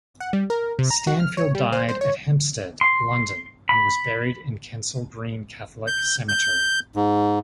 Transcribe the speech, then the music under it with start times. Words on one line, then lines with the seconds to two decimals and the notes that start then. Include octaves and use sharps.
Stanfield died at Hampstead, London, and was buried in Kensal Green Catholic Cemetery.
0.20 F#5
0.33 G3
0.50 A#4
0.79 C3
0.91 A#5
1.07 F#4
1.20 F6
1.37 C#5
1.55 G3
1.72 C5
1.89 C5
2.01 C#5
2.81 C6
3.69 B5
5.87 G6
6.29 G6
6.96 G#2